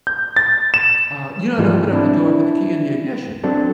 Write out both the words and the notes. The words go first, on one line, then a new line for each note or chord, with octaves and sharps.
uh, you know how to open up the door and put the key in the ignition,
G6
A6
E7
G#2 E3 F3 G3
C4 D4 E4
F#3 C4 D4 A4